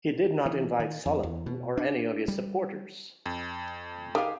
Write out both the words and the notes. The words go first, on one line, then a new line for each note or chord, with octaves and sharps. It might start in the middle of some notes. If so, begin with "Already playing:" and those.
He did not invite Solomon or any of his supporters.
E3
D#3
F2
E2
B2
D4
G3
F2
D#3 G4 G#4 F5